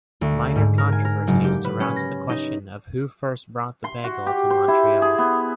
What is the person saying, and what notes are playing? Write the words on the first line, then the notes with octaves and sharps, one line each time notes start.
Minor controversy surrounds the question of who first brought the bagel to Montreal.
D2
G#2
A#4
G#5
A#4
F#1
G4
B4
C#4
A#6
D#4
C6
F#4
G4
C5
E4
G#4
B3